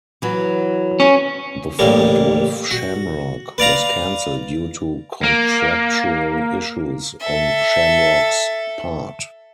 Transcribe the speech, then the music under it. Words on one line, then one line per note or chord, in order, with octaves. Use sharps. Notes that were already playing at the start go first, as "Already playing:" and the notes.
The fight with Shamrock was cancelled due to contractual issues on Shamrock's part.
E3 F#3
C#4
A1 G3 A#3
F#4
B4 D5 F5 A#5
A#3
A4 E5